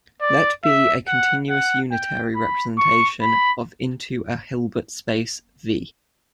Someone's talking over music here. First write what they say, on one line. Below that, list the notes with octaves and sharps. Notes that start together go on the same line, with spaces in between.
Let be a continuous unitary representation of into a Hilbert space "V".
D5
E5
F#5
F#5
G5
B5
C#6
B5